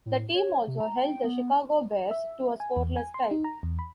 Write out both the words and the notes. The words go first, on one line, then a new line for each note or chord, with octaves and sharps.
The team also held the Chicago Bears to a scoreless tie.
A2
C#5
C3
A#5
G5
B3
E5
G#5
E2
G#5
C6
D#4
A#5
E2
B5